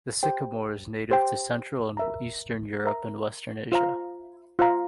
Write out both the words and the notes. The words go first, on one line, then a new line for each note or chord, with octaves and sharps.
The sycamore is native to central and eastern Europe and western Asia.
G4 C5 G5
G4 C5 G5
A#4 E5 A#5
A#4 E5 A#5
F4 C5 F5 A#5
F4 C5 F5 A#5